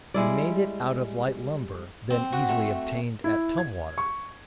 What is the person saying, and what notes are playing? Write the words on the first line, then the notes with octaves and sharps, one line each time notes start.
We made it out of light lumber, then easily obtained at Tumwater.
G3 G#3 E4 D5
C4
F#4
A3
E4
G#6
C#6